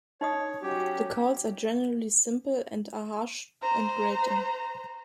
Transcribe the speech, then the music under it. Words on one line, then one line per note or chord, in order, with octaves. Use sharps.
The calls are generally simple and are harsh and grating.
D#4 C#5 D#5 D#6
F#3 C#4 F#4 G4
C5 A#5